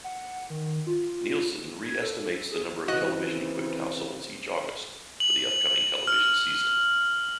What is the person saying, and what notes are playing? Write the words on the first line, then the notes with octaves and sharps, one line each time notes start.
Nielsen re-estimates the number of television-equipped households each August for the upcoming television season.
F#5
D#3
F4
G#6
A4
G#4
C#3 E3 C4 F#4 D#5 F#6
F#7
F6